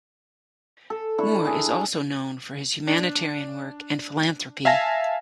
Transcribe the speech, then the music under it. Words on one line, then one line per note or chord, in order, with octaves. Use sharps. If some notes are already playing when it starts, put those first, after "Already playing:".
Moore is also known for his humanitarian work and philanthropy.
A4
D4 E4 C#6
D4 G#4
D4
E5 F5 G#5 A5 A#6